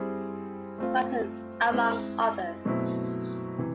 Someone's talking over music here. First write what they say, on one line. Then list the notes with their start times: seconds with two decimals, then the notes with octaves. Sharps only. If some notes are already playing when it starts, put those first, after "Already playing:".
Hutton, among others.
Already playing: G3 C4 E4 G#4
0.78 A3 C4 F4
1.71 G#3 C4 E4
2.65 B2 F#3 A3 C4 E4
3.58 C3 E3